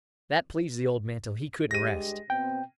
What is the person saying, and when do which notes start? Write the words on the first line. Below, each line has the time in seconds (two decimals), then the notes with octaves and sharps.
That pleased the old man till he couldn't rest.
1.71 G2 G#3 G4 A#6 D#7
2.30 B2 C4 G5